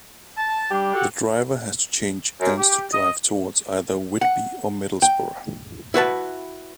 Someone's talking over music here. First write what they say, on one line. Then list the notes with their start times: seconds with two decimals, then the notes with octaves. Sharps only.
The driver has to change ends to drive towards either Whitby or Middlesbrough.
0.37 A5
0.71 G3 D4 G4
0.94 F#4 A4 F#5
2.41 F#2
2.58 G4
2.93 D#5
4.21 F#5
5.02 G5
5.94 E4 F#4 B4 A5